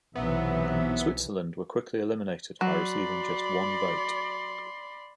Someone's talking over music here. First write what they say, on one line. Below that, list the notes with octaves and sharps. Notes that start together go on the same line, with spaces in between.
Switzerland were quickly eliminated by receiving just one vote.
B1 C3 E3 F#3 B3 E5
F#3 D5 B5 C6